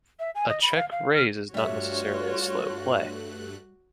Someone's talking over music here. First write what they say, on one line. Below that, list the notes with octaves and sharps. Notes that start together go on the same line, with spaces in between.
A check-raise is not necessarily a slow play.
E5
G#5
D#5
B5
F5
F5
F6
G2 G3 A3 F4 F#4 C#5 E5 F#6